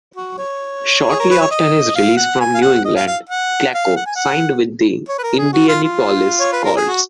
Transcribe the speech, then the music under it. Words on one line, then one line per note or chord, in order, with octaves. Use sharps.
Shortly after his release from New England, Klecko signed with the Indianapolis Colts.
F#4
C#5
G#4
A#4
B4
C#5
D#5
F5
F#5
G#5
F5
F#5
D#5
F5
F5
F#5
F5
F#5
G#5
F#5
C#5
B4
A#4
G#4
F#4
F4
F4
C#5
B4
A#4
G#4
F#4